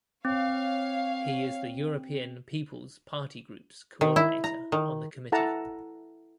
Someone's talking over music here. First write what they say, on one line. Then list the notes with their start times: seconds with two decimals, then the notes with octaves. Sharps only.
He is the European People's Party Group's coordinator on the committee.
0.25 C4 C#5 F5
4.01 D#3
4.16 E4
4.44 A#5
4.72 D#3
5.32 E4 A4 F#5 A5 A#5